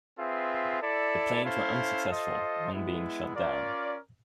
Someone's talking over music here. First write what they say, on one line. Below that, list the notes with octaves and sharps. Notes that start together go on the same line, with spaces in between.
The planes were unsuccessful, one being shot down.
C4 F4 G#4 B4 E5
E4 A4 D5
C#4 E4 A4 C5 F5
F4 A4 C5 D#5
G#3 B3 E4
C#4 F4 A#4 D5